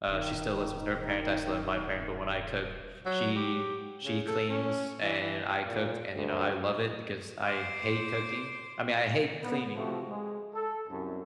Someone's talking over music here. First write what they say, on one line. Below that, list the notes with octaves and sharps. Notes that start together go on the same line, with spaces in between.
Uh, she still lives with her parents, I still live with my parent, but when I cook, she she cleans and I cook and, you know, I love it because I hate cooking I mean, I hate cleaning,
D#1 D#3
F#3
G4
C#3
A4
C#4
E3
E3
A#2
D2
C5 D6
B3
C3 F3 A3 F#4
G#3
A4
C2 F#2